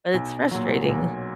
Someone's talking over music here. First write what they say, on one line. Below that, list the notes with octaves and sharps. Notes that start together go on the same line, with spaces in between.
But it's frustrating.
B1
A#2 F#3
B1